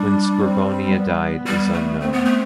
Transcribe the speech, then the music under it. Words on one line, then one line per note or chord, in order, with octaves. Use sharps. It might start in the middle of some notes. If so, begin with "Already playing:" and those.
When Scribonia died is unknown.
Already playing: G3 D4
C4
B3
G3
A3
A3 C4
B3
A3